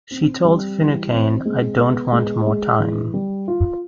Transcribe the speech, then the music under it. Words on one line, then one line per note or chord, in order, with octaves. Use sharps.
She told Finucane, I don't want more time.
C4
G3
E3
C4
G#3
B3
G#3
G#3
E3
G3
F4